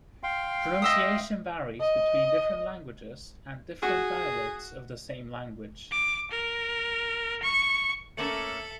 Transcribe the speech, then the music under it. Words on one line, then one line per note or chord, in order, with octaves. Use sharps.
Pronunciation varies between different languages, and different dialects of the same language.
F5 G5 C6
D#5 E5 D#6
D#5
F#4 G#4
D6
A#4
C#6
A3 A#3 C#4 A4 E5 C#7 F#7